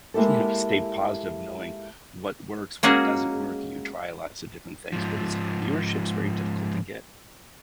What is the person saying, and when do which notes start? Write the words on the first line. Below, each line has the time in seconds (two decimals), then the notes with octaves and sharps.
you know, stay positive knowing what works, what doesn't work. You try a lots of different things, but it's viewership's very difficult to get.
0.14 G#3 A#3 E4 G4 A4
2.83 G#3 A#3 C#4 F#4 G#4
4.93 G#2 F3